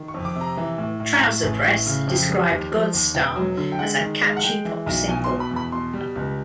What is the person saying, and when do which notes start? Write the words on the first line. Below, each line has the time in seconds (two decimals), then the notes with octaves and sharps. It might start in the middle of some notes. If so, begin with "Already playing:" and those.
"Trouser Press" described "Godstar" as "a catchy pop single".
Already playing: D#3
0.08 C#6
0.14 F2
0.25 D6
0.36 C3
0.41 A#5
0.57 E3
0.78 A2
1.00 A2
1.13 A#5
1.21 A2 A5
1.43 A1
1.64 A2
1.87 C#3
2.07 F2
2.29 G3
2.51 D#2
2.72 F3
2.93 D#2
3.15 E1 G5
3.36 F#3
3.57 D3
3.72 G5
3.79 G#3 F#5
4.01 D#3
4.22 G#3
4.29 F5
4.37 F#5
4.43 G#3 G5
4.65 E3
4.86 B1
5.08 B2 G#5
5.24 C6
5.29 B2
5.40 B5
5.51 E2
5.56 B5
5.72 B2 C6
5.93 G3
6.16 C#2